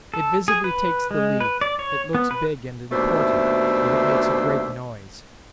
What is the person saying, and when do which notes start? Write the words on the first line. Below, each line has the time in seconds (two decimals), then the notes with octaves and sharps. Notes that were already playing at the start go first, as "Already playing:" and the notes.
It visibly takes the lead, it looks big and important, and it makes a great noise.
0.14 A4
0.48 G#4
0.64 B4
1.11 G#3
1.40 B4
1.61 D5
1.79 C#5
2.15 B3
2.31 B4
2.91 D#2 B2 A3 D4 C5 E5